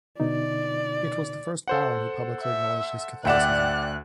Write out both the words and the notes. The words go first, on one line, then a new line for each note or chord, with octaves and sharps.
It was the first Baron who publicly acknowledged his Catholicism.
B2 D3 D#4 D5
A4 C5 F#5
E5
D2 D5 E5 F#5 G5 F#6 E7